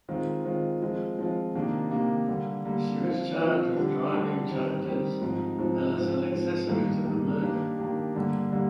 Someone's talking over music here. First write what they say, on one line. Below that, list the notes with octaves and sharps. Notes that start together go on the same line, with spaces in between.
She was charged with driving charges and as an accessory to the murder.
D#3 G#3 C4 F4
D#3 G#3 C4 F4
F3 G#3 C4 F4
F3 G#3 C4 F4
C3 D#3 A#3 D4
C3 D#3 A#3 D4
D3 G3 A#3
D3 G3 A#3
F3 C4 F4
F3 C4 F4
D3 G3 D4 G4
D3 G3 D4 G4
D#3 G3 C4 G4
D#3 G3 C4 G4
G#2 F3 C4 D#4
G#2 F3 C4 D#4
G#2 F3 C4
G#2 F3 C4
G2 D#3 A#3
G2 D#3 A#3
D#3 A#3 D4 G4
D#3 A#3 D4 G4
G2 D3 G3 A#3
D3 G3 A#3